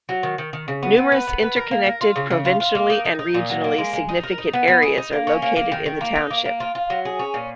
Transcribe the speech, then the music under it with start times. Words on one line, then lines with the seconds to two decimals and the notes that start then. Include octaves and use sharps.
Numerous interconnected provincially and regionally significant areas are located in the township.
0.09 F#3
0.23 D#3
0.38 D#3
0.53 D#3
0.68 C#3
0.83 B3
0.97 B3
1.12 B4
1.27 B3
1.42 B4
1.56 A#4
1.71 A#3
1.86 A#4
2.01 F4
2.16 C#3
2.30 C#3
2.45 F4
2.60 F4
2.75 A#3
2.90 D#4
3.05 D#4
3.19 D#4
3.34 A#2
3.50 F#3
3.64 A#3
3.78 G#3
3.93 G#3
4.09 D#4
4.23 A#4
4.38 D#4
4.53 B3
4.68 B3
4.82 G#4
4.98 D#4
5.13 A#3
5.27 C#4
5.42 A#3
5.56 A#3
5.72 D#3
5.86 D#3
6.01 A#3
6.15 D#4
6.31 A#3
6.45 A#3
6.60 F4
6.75 F4
6.90 F#3
7.05 G#4
7.19 C#4
7.34 A#2